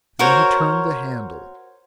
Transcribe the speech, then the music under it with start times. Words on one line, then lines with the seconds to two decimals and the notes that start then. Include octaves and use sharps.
Then he turned the handle.
0.19 F#4 A#4 C5 C#5